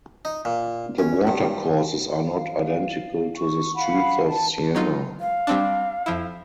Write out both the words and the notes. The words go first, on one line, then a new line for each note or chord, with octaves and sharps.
The watercourses are not identical to the streets of Siena.
D#4
A#2
C#4
G2
F5
C#6
F5 F#5 B5
A5
F#3 D#4 F4
F5
G3 C4 D4
F2 F3 E4